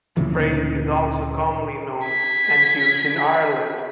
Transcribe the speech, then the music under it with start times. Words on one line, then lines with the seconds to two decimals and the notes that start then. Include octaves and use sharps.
The phrase is also commonly known and used in Ireland.
0.17 D2 A#2 C#3 E3
2.05 G#6 B6